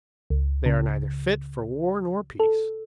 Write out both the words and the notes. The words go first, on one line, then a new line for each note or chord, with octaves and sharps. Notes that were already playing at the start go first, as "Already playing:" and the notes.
They are neither fit for war nor peace!
C#2
C#3
A4